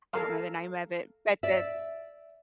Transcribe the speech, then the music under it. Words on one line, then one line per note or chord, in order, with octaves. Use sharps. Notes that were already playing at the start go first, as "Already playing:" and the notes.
I don't know the name of it, but the
A4 A#4 F5
D5 E5